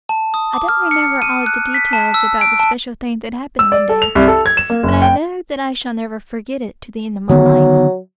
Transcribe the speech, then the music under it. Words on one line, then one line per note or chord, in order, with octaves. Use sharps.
I don't remember all the details about the special thing that happened one day, but I know that I shall never forget it to the end of my life.
A5
D#6
D6
F6
C#7
D#7
F#6
B6
A5
E6
D7
A5
E6
D5
A4
F7
C2
A4
G#6
E7
A#3
F#1
G5
D3 D#3 F#3 B3